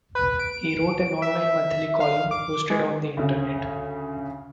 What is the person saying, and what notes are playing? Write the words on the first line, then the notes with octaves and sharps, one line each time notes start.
He wrote an online monthly column posted on the Internet.
B4
D7
E5
F5
D6
G#3
D2 C#3